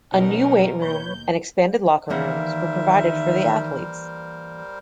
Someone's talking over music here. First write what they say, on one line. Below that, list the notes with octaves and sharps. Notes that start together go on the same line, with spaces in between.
A new weight room and expanded locker rooms were provided for the athletes.
B2 F#3 C#4 D#4 A#4
D#2 B4 C#5 G6
D#3 E3 G3 A#3 A#4 C5 E5 F#5